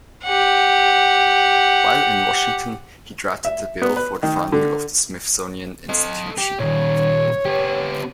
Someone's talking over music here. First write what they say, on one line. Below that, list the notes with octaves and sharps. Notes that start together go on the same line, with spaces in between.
While in Washington, he drafted the bill for the founding of the Smithsonian Institution.
G4 F#5
E5
B3
B4
D#3
D3
A4 D#5
G4
A#2 D#3 C#5
B3 G4